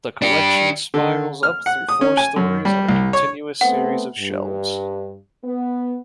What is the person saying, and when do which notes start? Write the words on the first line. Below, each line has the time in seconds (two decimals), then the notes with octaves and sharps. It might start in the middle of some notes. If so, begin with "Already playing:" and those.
The collection spirals up through four stories on a continuous series of shelves.
0.22 D4 G4
0.94 D3
1.43 F6
1.66 F#5
1.89 D#6
2.01 C#4
2.17 G#5
2.36 F#2
2.65 G3
2.89 C2
3.13 C#5
3.61 A3 B3 C4 F#5
4.19 G2
5.44 B3